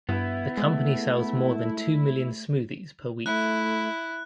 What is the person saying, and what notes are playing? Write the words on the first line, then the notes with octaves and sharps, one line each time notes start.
The company sells more than two million smoothies per week.
G2 B3 E4
G#3 A3
A3 E4 F#6